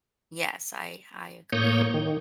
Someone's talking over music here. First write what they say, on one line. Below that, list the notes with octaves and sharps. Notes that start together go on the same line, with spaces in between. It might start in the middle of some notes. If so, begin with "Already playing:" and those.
Yes, I I agree.
A2 A#3 C#5 C#6 D#6 G6
D#3